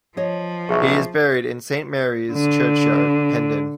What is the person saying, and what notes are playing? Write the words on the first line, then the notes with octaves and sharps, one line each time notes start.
He is buried in Saint Mary's Churchyard, Hendon.
F3 C#5 D#5
B1 G#4 E5 C#6
D3